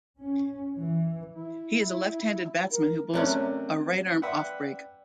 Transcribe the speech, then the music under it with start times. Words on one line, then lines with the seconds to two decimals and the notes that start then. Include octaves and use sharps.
He is a left-handed batsman who bowls a right-arm off break.
0.19 C#4
0.76 E3
1.36 E4
2.71 A#4
3.14 C3 F#3 A3 C4 C#4 A#4 D5 F#6
4.22 B4 D5 E5 F#5 G5